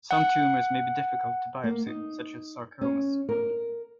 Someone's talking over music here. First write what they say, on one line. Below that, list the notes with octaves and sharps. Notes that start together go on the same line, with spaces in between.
Some tumors may be difficult to biopsy, such as sarcomas.
F#5
A#3
D#4
C#4
A#4